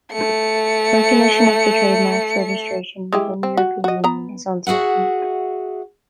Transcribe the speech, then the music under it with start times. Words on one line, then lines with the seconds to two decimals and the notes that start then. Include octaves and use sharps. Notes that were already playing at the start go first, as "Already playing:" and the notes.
Recognition of the trademark's registration within the European Union is uncertain.
0.12 A3 C#7
3.13 G#3 E4 G4
3.43 C4
3.57 F#4
3.84 F#4 D#5
4.04 B3 A#5
4.67 F#4 G#4 E5 F#5